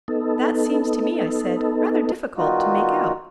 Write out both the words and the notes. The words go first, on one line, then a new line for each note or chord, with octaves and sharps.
"That seems to me," I said, "rather difficult to make out."
B3 D#4 A4
D#3 G3 B3 D#4 F4 F#4